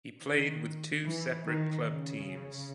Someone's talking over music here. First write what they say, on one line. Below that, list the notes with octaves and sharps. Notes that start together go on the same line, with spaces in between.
He played with two separate club teams.
D#3
E3
D#3
C#3